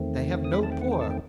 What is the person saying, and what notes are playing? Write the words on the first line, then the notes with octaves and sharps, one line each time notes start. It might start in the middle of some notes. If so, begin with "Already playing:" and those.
They have no poor.
Already playing: E2 D#3 A3 C4
D#6
B5
A5
G5
F#5
G5
A5
G5